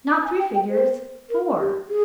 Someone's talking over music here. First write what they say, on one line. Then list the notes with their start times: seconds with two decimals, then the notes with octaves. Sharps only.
Not three figures, four!
0.25 G#5
0.39 G5
0.55 G5
0.69 C5
1.30 A#4
1.59 G4
1.89 G#4